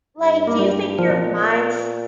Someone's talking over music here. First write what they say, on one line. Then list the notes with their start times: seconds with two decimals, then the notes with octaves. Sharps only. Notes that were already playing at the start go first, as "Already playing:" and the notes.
Like, do you think your minds
0.20 G2
0.48 A#3
0.59 G3
0.98 A#2 F3